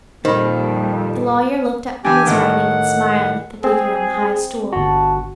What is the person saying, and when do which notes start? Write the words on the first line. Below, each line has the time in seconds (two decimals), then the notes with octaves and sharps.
The lawyer looked up from his writing, and smiled at the figure on the high stool.
0.25 F2 A#2 D#3 G3 C5 B5
2.05 E3 D4 G4 G#5
2.27 A2 D#3 F#5
3.64 C4 G#4
4.73 G1 F#4 A5